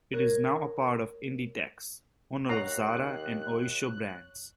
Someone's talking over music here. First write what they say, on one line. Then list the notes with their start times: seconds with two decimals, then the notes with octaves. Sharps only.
It is now a part of Inditex, owner of Zara and Oysho brands.
0.13 A#4 C#5 F#6 G#6
2.49 D#2 C#5 F#5 A#5 F#6 C7